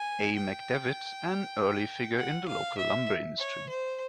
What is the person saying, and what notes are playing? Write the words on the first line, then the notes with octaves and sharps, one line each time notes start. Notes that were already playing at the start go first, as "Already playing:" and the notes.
A. McDavitt, an early figure in the local lumber industry.
Already playing: G#5
G5
F#5
F5
E5
C#5
C5